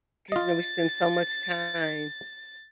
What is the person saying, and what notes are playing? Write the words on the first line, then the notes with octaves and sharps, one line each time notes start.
'cause, you know we spend so much time
F4 D#5 A6